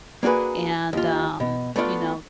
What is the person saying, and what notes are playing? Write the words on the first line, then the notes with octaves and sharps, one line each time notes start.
and, um, you know,
A#3 D4 F#4 G#4 B4
D#2 F4
B2
A3 B3 D4 D#4 F4